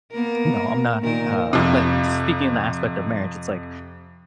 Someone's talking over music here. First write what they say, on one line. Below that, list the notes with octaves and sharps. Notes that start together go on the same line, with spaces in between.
you know, I'm not, uh, like speaking the aspect of marriage, it's like,
A#3 B3 A#4
A#2 D#3 A#4
F2 C3